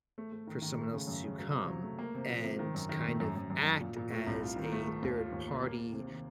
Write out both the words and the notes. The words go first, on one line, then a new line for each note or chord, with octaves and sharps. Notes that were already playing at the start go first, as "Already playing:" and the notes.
for someone else to come and kind of act as a third-party,
A3
A3
D#3
D#3
A3
C#3
F#2
C#3
F#3
C3
F#3
A3
A#3
C3
F3
C3
D#3
F#2
D#3
A3
F#2
F#2
F#2
F#2
A#2
A#2
A3
C2
F4
D#3
A3
A3
D#2
F4
D#2
A#3
A#3
A#3
C3
D#3